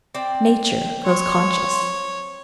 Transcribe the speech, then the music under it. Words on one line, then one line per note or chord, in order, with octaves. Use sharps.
Nature grows conscious.
C4 D5
C#5 C6